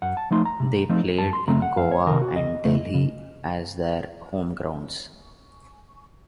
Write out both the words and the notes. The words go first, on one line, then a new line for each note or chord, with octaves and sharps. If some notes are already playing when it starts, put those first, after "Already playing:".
They played in Goa and Delhi as their home grounds.
F#2 F#5
A5
F3 A3 D#4 C6
A#5
C3
F3 A3 C4 D#4
F#2 A5
C6
C#3 A3 C4 A#5
F#5
F2 F5
C#5
C3 D#3 A#4
F#4
C#2 D#5
C#3 A3
C#3